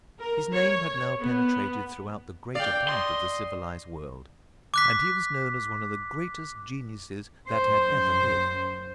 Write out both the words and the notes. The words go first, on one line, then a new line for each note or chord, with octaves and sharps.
His name had now penetrated throughout the greater part of the civilized world and he was known as one of the greatest geniuses that had ever lived.
A#4
C#5
B3
D5 F5 G5
D#5 C6
D6 F#6 B6
F#2 C5